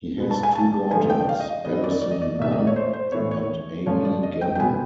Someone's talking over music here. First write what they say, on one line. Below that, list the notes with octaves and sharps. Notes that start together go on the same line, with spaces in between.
He has two daughters, Allison Mann and Amy Gammon.
B2 G#3 B3
A5
G#5
A5
D3 F3 A3 G#5
G5
F5
D#5
D#3 G3 B3 D#5
D5
D5
D#5
D5
C3 D#3 G3 A#3 E5
D#5
D5
C#5
C5
C5
A2 E3 G#3 B3 C#5
C#5
C#3 F3 A3 C#5
D5
D#5
G5
G5
B2 G#3 B3 G#5